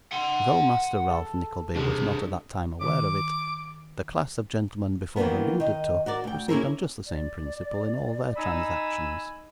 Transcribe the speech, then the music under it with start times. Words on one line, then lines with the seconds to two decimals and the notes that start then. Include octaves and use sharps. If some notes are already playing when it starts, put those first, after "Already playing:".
Though Master Ralph Nickleby was not at that time aware of it, the class of gentlemen before alluded to, proceed on just the same principle in all their transactions.
0.12 F#5 C6
1.10 A4
1.76 C2 D4 G#4
2.81 D#3 D6
5.16 D#3 E3 G#3 A#3 B3
5.60 D#3 D#5
6.06 F#4 A#4 D5
6.24 D2 G5
6.48 A#3 C#4 E4 G#4 A#4
7.06 D5
8.36 D#4 G#5 B5 E6